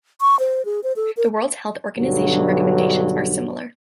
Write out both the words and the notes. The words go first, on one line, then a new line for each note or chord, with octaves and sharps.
The World Health Organization recommendations are similar.
C#6
C5
G#4
C5
A4
A#4
B1 G2 D3 F#3